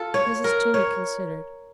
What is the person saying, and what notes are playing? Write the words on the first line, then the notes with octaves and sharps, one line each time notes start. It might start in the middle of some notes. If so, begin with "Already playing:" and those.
Mrs. Toomey considered.
Already playing: F4 A4
C#5
A#4
C#5